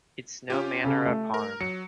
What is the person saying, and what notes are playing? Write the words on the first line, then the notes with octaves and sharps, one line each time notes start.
It’s no manner of harm.
C#4 F4 G4
C#3 A4
A3
A#4
F#3 C#7